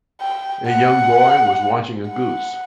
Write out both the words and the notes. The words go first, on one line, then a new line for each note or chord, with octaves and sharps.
A young boy was watching a goose.
G5
F#5
F#5